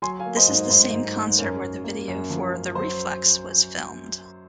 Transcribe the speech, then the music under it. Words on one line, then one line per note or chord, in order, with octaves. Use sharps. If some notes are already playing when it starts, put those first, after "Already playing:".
This is the same concert where the video for "The Reflex" was filmed.
F#3 G#5 C6
F5 G#5
A#3
C5 D#5
G#2
G#2 C5 D#5
G#2
G#2
F#2 A#4 C#5
F#2
A#3
F#2
F3
F#2
F#3 C5